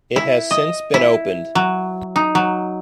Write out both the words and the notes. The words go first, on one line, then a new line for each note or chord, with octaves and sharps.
It has since been opened.
E4
D#5
E4
F#3
D#4
F#3